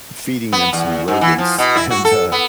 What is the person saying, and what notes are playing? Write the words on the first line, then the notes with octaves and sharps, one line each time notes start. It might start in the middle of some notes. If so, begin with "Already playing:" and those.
feeding them some rodents, and, uh
B3
E2
G#2
E3
F3
B2
E4
F#4
A4
B3